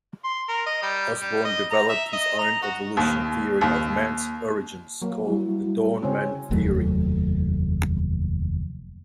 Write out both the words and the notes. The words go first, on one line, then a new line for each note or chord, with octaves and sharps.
Osborn developed his own evolution theory of man's origins called the "Dawn Man Theory".
C6
A#4
D#5
G3
G3
D#5
A#5
E5
D#5
A#5
F#4
D#2
D#2
F#3 A#3
G3 E4 F#4
C#3 C4 C#4
F1 D#2 F#3 A3